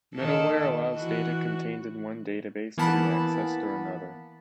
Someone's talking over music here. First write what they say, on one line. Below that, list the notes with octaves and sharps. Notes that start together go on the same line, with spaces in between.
Middleware allows data contained in one database to be accessed through another.
D#3 A#3 A4
E3 F#4
E3 A#3 B3 F#5 A5 B5